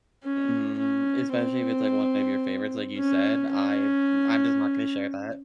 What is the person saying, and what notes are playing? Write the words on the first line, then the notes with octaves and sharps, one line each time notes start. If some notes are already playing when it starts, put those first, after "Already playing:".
Mhm. Especially if it's, like, one of your favorites, like you said. I w I'm just not gonna share that.
C#4
C#4
C4
C#4
C#4